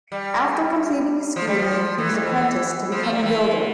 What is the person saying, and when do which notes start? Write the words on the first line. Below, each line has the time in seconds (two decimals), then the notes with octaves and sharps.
After completing his schooling, he was apprenticed to become a builder.
0.12 G3
1.36 F3
1.47 G3
1.59 F3
1.98 E3
2.14 F2
2.29 E3
2.92 F3
3.02 A3
3.12 G3
3.23 E3